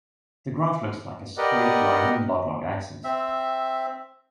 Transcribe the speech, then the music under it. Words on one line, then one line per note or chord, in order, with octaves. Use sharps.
The graph looks like a straight line on log-log axes.
G4 A#4 B4 D5 D#5 F#5
C4 E5